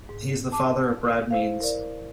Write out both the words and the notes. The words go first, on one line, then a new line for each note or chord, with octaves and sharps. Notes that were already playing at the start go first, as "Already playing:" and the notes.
He is the father of Brad Means.
G#2
A5 D6
E4 C5 F5
A#4 D5